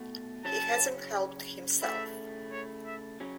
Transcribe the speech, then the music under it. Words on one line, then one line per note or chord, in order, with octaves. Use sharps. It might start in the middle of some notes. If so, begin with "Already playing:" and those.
He hasn't helped himself.
Already playing: B2 A3 F#4
C#3 F#3 C#4 A5
C#3 A3 E4 E5
C#5
E5
C#3 F#3 C#4